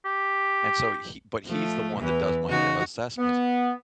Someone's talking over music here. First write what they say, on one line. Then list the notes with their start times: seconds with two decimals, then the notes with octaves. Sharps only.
and so he but he's the one that does my assessments,
0.05 G4
1.46 F3 A3
1.98 E2 E3 B4
2.47 C#3 D#4 F#4
3.18 B3